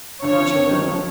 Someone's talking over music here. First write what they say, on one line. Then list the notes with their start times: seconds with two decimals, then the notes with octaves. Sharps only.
"About your will?"
0.22 D3 C#5
0.39 C4
0.54 C4
0.71 F#3
0.87 F3